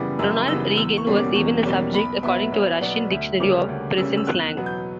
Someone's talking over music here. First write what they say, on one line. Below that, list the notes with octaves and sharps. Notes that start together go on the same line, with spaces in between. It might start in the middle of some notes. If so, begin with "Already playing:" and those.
Ronald Reagan was even a subject, according to a Russian dictionary of prison slang.
Already playing: F#2 C#3 E3 G3 B3 D6
F#2 E6
C#3 E3 G3 B3 E6
E2 E6
C#6
B2 G3 A#3 C#4
D6
E2 C#6
B2 G3 A#3 C#4
B1 B5
B2 F#3 B3 E5
B1 C#5
B2 F#3 B3 D5
D2 E5
C#3 G3 A#3 C#4 D6
D2
C#3 G3 A#3 C#4 E6
E6
E2 F#6
F#6
B2 F#3 B3
G6